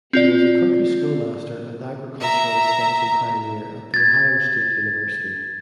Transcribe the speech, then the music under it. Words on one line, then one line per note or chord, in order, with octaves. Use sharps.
He was a country schoolmaster and agriculture extension pioneer at The Ohio State University.
C4 F4 D5
E5 A#5
G#6 A6